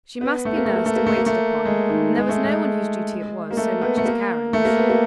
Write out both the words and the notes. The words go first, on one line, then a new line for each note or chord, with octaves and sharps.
She must be nursed and waited upon, and there was no one whose duty it was so much as Karen's.
B3
A3
A#3
A3
A#3
A3
A#3
A3
A#3
A3
G#3
D#3
G#3
A3
G#3
A#3
A3
B3
A3
A#3
A3
A#3
B3
A#3